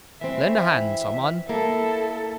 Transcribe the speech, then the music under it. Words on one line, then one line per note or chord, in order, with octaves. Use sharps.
Lend a hand, some one.'
E3 C4 E5
A#3 E4 A4